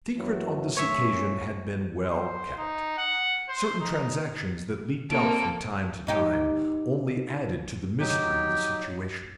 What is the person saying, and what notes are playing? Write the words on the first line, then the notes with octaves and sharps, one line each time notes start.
The secret on this occasion had been well kept. Certain transactions that leaked out from time to time only added to the mystery of the situation.
F#2 E3 F#3
F#2 A3 C#4 C#5 E5
C5
D#4
F#5
C5
D#4
A#3 C4 A4 D7
G#2 D#4 G4
F#3 D#4 G4